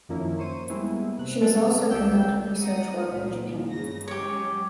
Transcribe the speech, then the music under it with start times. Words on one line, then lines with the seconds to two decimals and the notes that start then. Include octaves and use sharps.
She has also conducted research work in Japan.
0.09 F#2 D#3 F3 A#3 C#4 E4
0.39 C5 C#6 D#7
0.69 G3 G#3 A#3 B3 E4
1.19 C3 F#6
1.40 F#3 G#3 A4
1.90 C#2 G4 D5 G5 E6 G6
2.60 F#5 A#5 D#6
3.03 C#2 A#2
3.71 G2 C#3 A#6
4.08 F#3 G#3 C#4 G4 C#5